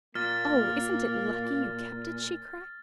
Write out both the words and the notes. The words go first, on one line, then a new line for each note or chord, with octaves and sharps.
"Oh, isn't it lucky you kept it?" she cried.
A#2 A#3 F6 A6